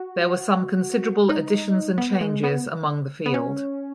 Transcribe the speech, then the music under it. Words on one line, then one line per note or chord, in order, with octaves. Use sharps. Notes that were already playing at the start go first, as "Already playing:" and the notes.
There were some considerable additions and changes among the field.
Already playing: F#4
D#4
B3
G#3
B3
B3
C#4